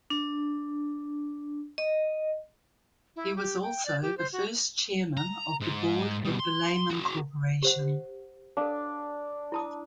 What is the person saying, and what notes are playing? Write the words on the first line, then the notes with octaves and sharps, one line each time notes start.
He was also the first chairman of the board of the Lehman Corporation.
D4
D#5
E4
G4
G5
D5
G4
C5
F#4
A#5
G#2
B2 G3
C6
F#4 G#4
G4 C5 F#5
D4 A4 F5
E4 A5 D#6